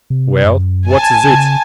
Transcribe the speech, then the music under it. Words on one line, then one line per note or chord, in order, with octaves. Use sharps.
"Well, what is it?"
C3
F#2
G#5 A5
C#3